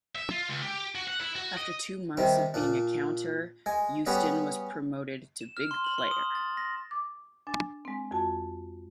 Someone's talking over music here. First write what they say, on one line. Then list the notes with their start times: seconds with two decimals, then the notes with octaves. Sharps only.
After two months of being a counter, Uston was promoted to "Big Player".
0.15 E5
0.31 F4
0.49 C#2
0.63 G4
0.95 F#4
1.08 F#5
1.21 E4
1.36 F#4
1.57 D#5
2.17 C3 D#3 G3 C4
2.54 A#2 D4
3.66 G#3 G#5
4.07 G3 B3 C#4 G#4 B4
5.41 E7
5.57 F6
5.71 C6
5.84 F#7
5.98 C6
6.11 D#6
6.35 A6
6.57 A#6
6.91 D6
7.47 D4 G#5 A6
7.85 G#3 C4
8.11 F2 F#4 A5